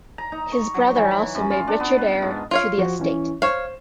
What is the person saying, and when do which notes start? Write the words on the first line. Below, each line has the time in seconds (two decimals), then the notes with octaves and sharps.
His brother also made Richard heir to the estate.
0.18 A#5
0.32 D#4
0.52 C#6
0.74 F#3
0.96 E3
1.11 B5
1.35 F#2
1.51 F4
1.68 D4
1.80 B3
1.98 B4
2.22 G#2
2.51 F4 C#5 F5
2.78 F3 F#4
3.00 E3 C#4
3.42 C5 C#5 F5 E7